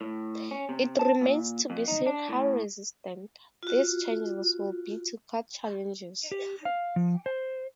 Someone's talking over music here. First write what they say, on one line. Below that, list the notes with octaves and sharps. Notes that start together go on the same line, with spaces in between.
It remains to be seen how resistant these changes will be to court challenges.
A2
C#4
C3
A5
A#2
F2
D#4
D4
A2
F4 F#4
G4
F5
F3
C5